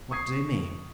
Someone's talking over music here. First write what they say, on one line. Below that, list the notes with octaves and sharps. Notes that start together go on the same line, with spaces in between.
"What do you mean?"
C#6 D#6 G#6 C7